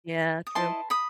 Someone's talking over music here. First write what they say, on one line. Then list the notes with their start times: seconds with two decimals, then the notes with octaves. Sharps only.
Yeah, true.
0.47 D#6
0.55 E4 B4 D#5 A5 C6
0.90 B5 D#6